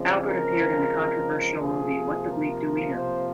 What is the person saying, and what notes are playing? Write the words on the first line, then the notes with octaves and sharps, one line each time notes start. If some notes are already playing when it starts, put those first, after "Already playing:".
Albert appeared in the controversial movie What the Bleep Do We Know!?
Already playing: C#3 F3 G#3 C4
A#4
C3 F3 A#3 G#4
A#4
C5